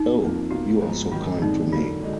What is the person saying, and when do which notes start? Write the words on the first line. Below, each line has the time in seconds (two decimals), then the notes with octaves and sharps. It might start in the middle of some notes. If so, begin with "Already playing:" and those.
Oh, you are so kind to me.
Already playing: D#4
0.21 F2 F3 A#3
0.51 B2 A#3 F4 F#4
0.81 G#2 F3 B3
1.11 G#2 D#3 F#3 F4
1.42 F2 D3 G#3 D#4
1.72 D3 F#3 A#3 F4
2.02 D3 G#3 D#4 F#4